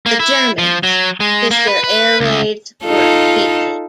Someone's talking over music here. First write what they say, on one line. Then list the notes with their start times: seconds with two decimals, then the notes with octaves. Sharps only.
The Germans, with their air raids, were hated.
0.06 A#3
0.20 E4
0.58 F3
0.83 F#3
1.20 G#3
1.51 A#3
1.67 B4
1.84 B4
2.20 C#2
2.85 D#4 F4 A4